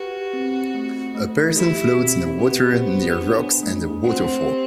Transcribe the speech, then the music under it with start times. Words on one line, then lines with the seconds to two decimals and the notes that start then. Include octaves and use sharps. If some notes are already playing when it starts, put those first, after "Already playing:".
A person floats in water near rocks and a waterfall.
Already playing: F#4 G4 B4
0.33 C4
0.74 A3
1.15 A3
1.56 E4 G4
1.97 C4
2.38 B3 G4
2.80 C5
3.21 D4
3.63 A3
4.04 C4 F#5
4.45 G4